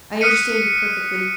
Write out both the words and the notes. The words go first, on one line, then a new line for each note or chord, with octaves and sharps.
I understand you perfectly.
D#6 F6 F#6 B6 C#7 D#7